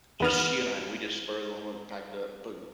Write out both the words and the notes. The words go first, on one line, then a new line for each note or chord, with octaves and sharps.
Just she and I, we just spur of the moment, packed up, and boom.
E2 B3 F6